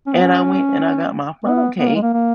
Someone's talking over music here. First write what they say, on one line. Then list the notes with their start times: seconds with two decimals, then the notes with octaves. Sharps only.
And I went and I got my funnel cake
0.07 C#4
0.14 B3
0.22 C#4
1.44 B3
1.79 B3
1.88 A#3
1.95 G#3
2.03 A#3
2.13 A#3